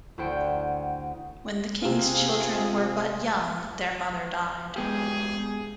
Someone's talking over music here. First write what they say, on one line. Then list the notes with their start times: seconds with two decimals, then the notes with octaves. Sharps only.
When the king's children were but young their mother died.
0.18 D2 E4 C5 F#5 G5
1.82 C3 F4 G#4
4.76 G#3 B3 G4 G#4